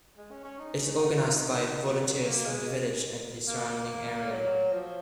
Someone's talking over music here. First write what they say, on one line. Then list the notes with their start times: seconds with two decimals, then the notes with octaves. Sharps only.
It is organised by volunteers from the village and the surrounding area.
0.18 G#3
0.31 C#4
0.44 C#4
0.59 D#4
1.00 F#4
1.11 F#4
1.20 F4
1.31 D#4
1.83 F#3
2.25 A#3
2.46 G#3
3.48 A#3
4.31 F#3
4.73 F3